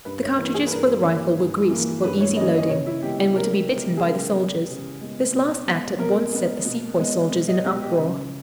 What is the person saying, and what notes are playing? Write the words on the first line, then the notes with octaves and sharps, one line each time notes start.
The cartridges for the rifle were greased, for easy loading, and were to be bitten by the soldiers. This last act at once set the sepoy soldiers in an uproar.
G2 B4
C#5
E3 A#3 B4
G#4
B4
G2 A#4
E3 A#3
G2
E3 A#3
G2 B4
C#5
E3 A#3 D#5
D#5
C#3 C#5
E4
G#3 B3 G4
G4
C#3 A#4
G#3 B3
G#4
C#3 A#4
G#3 B3
C#3
G#3 B3
B2
G#3 B3
B2 A#4
G#3 B3
B2
G#3 B3
B2
D#5
G#3 B3 G4
G4
C#3